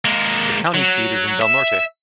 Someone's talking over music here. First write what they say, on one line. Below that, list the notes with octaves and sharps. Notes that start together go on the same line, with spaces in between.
The county seat is Del Norte.
G#3 A#3
F#3
E5